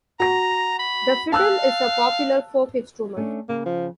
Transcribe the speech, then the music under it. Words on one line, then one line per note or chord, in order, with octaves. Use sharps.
The fiddle is a popular folk instrument.
F#4 A#5 A#6
B5
F5 A5 E6 F#6
A3 C#4 D4
C#3 A#3
F3